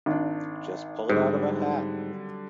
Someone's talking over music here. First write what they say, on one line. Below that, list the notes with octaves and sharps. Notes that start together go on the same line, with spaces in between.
Just pull it out of a hat.
G#1 D4
G#2 D3 F#3 G3